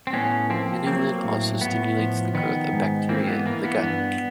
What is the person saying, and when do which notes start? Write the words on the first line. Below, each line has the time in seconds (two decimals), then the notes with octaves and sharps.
Inulin also stimulates the growth of bacteria in the gut.
0.07 C4
0.13 A2 B3 C#4
0.50 F3 A#3 C4
0.87 F#3 A#3 C4
1.24 A2
1.61 A2 B3
1.98 F3
2.35 D#3 B3
2.72 G#2
3.09 E3 A#3 C4
3.28 B3
3.46 E3 A#3
3.64 B3
3.82 G2 B3